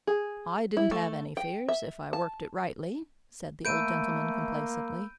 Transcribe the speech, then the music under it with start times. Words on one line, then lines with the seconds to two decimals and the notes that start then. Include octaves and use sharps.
"I didn't have any fears, if I worked it rightly," said the old gentleman complacently.
0.07 G#4
0.77 E4
0.91 A3
1.37 G5
1.69 E5
2.13 A5
3.65 A3 A#3 B5 E6 G6 D7 D#7